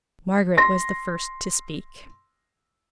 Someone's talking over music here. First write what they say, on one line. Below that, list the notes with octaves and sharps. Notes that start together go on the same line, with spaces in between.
Margaret was the first to speak.
C6 A#6